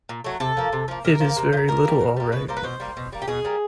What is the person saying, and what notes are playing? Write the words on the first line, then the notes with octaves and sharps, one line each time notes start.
It is very little all right.
A#2
F#3 A3
C3 A4
F3 A#3
C3
F3 A#3
C3 A#4
F3 A#3
C3
F3
A#3
B2 A#4
G3 A#3
B2
G3 A#3
B2 B4
G3 A#3 C5
B4
B2 C5
G3 A#3
B2
G3 A#3
G4
B2 G#4
G3 A#3